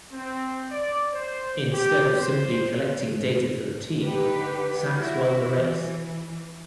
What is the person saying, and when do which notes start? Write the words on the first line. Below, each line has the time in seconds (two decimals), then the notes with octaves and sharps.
Instead of simply collecting data for the team, Sacks won the race.
0.13 C4
0.71 D5
1.13 C5
1.73 G4
2.17 C5
3.99 D3 D#4 G4 B4
4.95 E4 F#4
5.54 E3